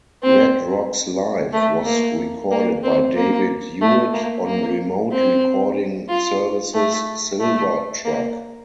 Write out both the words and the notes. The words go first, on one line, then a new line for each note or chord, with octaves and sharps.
Red Rocks Live was recorded by David Hewitt on Remote Recording Services' Silver Truck.
C4
A3
A#3
A#3
C4
A#3
A3
A#3
A#3
C4
F4
A3
A3
A#3